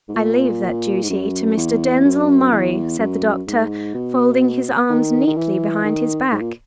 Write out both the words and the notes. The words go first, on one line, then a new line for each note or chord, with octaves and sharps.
"I leave that duty to Mr. Denzil Murray," said the Doctor, folding his arms neatly behind his back ...
G#2
A#2
G#2
F#2
E2
F#2
E2
F#2
G#2
B2
D#3
D#3
E3
D#3
G#2
A#2